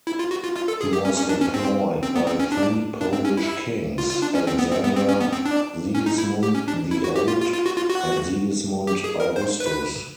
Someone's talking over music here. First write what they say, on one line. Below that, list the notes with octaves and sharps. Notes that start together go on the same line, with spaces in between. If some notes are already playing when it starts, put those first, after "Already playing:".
He was employed by three Polish kings: Alexander, Sigismund the Old and Sigismund Augustus.
E4
F4
F#4
F4
F4
A4
G#4
G4
C#4
C#4
D4
C#4
C4
C4
B3
C4
C#4
D4
D4
C4
C#4
E4
F4
F4
D4
C#4
C4
B3
C4
B3
C4
C#4
B3
C4
D4
C#4
D#4
E4
G4
C#4
D4
E4
F#4
G4
F4
F4
F4
F#4
F4
F#4
G4
G#4
A#4
C5
B4